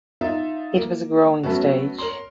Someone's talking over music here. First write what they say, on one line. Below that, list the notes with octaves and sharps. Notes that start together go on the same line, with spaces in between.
It was a growing stage.
D#4 F4 E5
A#3
F#3 A3 B3 C#4 F#4
A#4 C#5 C6